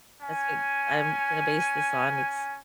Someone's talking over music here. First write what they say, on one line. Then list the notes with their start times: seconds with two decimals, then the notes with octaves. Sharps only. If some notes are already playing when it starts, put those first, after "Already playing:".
that's what I'm gonna base this on, it's,
0.22 C#4 G#5